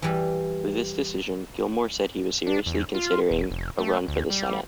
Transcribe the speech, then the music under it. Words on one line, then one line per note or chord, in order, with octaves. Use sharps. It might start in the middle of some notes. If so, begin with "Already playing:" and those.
With this decision, Gilmore said he was seriously considering a run for the Senate.
E3 G3
D4
E2
F4
E1
F1
A3
D2
G3